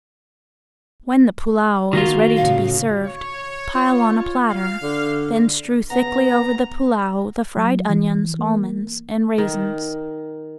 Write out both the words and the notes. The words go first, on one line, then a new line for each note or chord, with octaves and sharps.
When the pullao is ready to be served, pile on a platter, then strew thickly over the pullao the fried onions, almonds, and raisins.
D#3 A#3 F4 F#4
A2 C#3 F5
C#5
F4
F5
D3
C#3 B3 F#5 A#5
F#3
E3
A#3
D#3